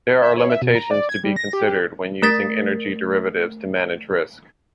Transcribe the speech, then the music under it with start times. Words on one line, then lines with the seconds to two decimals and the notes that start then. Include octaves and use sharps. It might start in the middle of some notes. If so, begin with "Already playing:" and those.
There are limitations to be considered when using energy derivatives to manage risk.
0.22 E5
0.37 C#5
0.50 E5
0.62 B2
0.75 A#5
0.91 D5
1.09 G#6
1.24 G3
1.36 A#6
1.53 G4
1.66 G4
2.22 A3 A#4 A6 B6